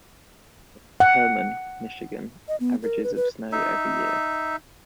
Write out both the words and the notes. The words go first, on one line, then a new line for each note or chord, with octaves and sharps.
Herman, Michigan, averages of snow every year.
F#5
D#5
B3
A#4
B4
B4
D#4 E5